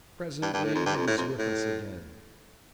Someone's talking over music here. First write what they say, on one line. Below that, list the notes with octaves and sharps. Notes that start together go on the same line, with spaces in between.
Presently he was with us again.
G2
G2
A2
F2
G2
F2
A2
F2
A2